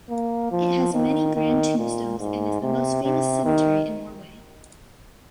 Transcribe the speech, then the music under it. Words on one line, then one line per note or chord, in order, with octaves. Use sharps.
It has many grand tombstones and is the most famous cemetery in Norway.
A#3
F3
D#3
D#3
A#2
G#2
C3
C3
D#3